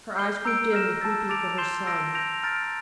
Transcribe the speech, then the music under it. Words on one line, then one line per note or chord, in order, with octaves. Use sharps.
Her eyes grew dim with weeping for her son.
G6 C7 G7
A#5 E6 G6 D7
F6 A#6 E7
A5 E6 A6
D6 A6 D7 F7
C6 G6 C7 E7 G7
A5 E6 A#6 D7
G6 A#6 D7 F7
A#5 F6 A6 D7